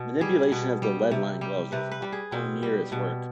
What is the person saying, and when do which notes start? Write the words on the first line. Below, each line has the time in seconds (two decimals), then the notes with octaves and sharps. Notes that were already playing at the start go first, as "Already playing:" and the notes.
Manipulation of the lead-lined gloves was onerous work.
Already playing: B2
0.21 G3 G#4
0.52 B2
0.82 G3
1.11 C3
1.41 G3
1.72 C3 B4
1.92 B4
2.02 G3
2.12 G#4
2.32 B2 C4
2.63 G3
2.92 B2